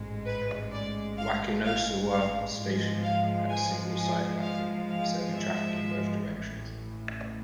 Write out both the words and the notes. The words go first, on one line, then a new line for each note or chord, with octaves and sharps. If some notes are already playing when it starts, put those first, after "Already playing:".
Wakinosawa Station had a single side platform, serving traffic in both directions.
Already playing: A1 G#2 G#3
B4
D5
F5
F5
F5
G#2 F3 G#3
F5
G#5
G#5
F5
F5
E5
A1 A2 E3